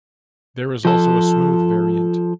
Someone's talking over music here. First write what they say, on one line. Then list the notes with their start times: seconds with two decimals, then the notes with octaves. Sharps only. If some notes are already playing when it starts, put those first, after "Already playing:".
There is also a 'smooth' variant.
0.85 F3 A4